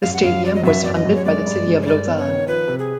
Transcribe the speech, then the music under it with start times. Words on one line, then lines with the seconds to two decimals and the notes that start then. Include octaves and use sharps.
The stadium was funded by the City of Lausanne.
0.02 F#2 F5
0.14 F#5
0.23 F#2 F5
0.44 F#3 D5
0.55 D#5
0.64 F#2 E5
0.84 F#2 D5
0.94 D#5
1.05 F#2
1.15 C#5
1.25 G#3 D5
1.46 G2
1.67 G#3
1.82 C#5
1.86 G2 D5
2.07 B3
2.17 C#5
2.28 D#3
2.48 F3 B4
2.68 C3
2.79 G#4